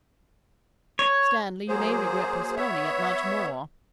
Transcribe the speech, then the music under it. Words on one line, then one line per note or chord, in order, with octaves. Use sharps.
'Stanley, you may regret postponing it, much more.'
C#5
F#3 A#3 G#4 C5
B3 C#5 E5